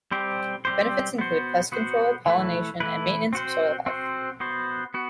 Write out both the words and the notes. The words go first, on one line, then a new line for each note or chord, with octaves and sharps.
Benefits include pest control, pollination, and maintenance of soil health.
G3 C4 G4 C5
G3 C4 G4 C5
B3 F#4 C5
B3 F#4 C5
E3 A3 E4 B4
E3 A3 E4 B4
C4 F#4 C5
C4 F#4 C5
B3 F#4 C5
B3 F#4